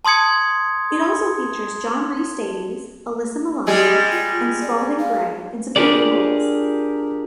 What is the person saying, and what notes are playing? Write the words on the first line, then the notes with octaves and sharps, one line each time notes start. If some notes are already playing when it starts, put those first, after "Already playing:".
It also features John Rhys-Davies, Alyssa Milano, and Spalding Gray in supporting roles.
A5 C6 D#6 G#6 C#7
G3 G#3 G4 G#4
F4
D5
F5
D4 F4 G4 G#4 A#4 D5